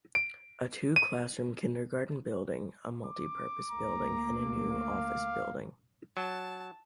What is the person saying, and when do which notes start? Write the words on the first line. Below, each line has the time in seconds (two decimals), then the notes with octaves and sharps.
A two classroom kindergarten building, a multi-purpose building, and a new office building.
0.15 D7
0.96 D#7
3.05 D6
3.71 D2 A#3 A#5
4.69 F5
6.17 F#3 A5